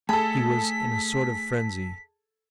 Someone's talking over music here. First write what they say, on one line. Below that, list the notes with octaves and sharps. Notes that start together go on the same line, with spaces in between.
He was in a sort of frenzy.
A3 G#4 A4 A5 B5 B6